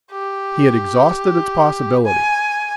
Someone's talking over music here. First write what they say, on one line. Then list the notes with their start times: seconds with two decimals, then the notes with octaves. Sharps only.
He had exhausted its possibilities.
0.12 G4
2.05 G#5